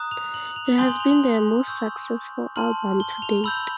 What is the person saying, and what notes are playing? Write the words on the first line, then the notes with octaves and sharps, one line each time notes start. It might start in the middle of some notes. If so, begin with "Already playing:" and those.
It has been their most successful album to date.
Already playing: A#5 D#6 F#6
F7
F#7
F#7
F7
F#7
G#5 C6 D#6 G6 G7
F#7
F7
F#7
C#6 E6 G6
A5 C6 F6 F#7
G7
F7
B5 E6 G6 F#7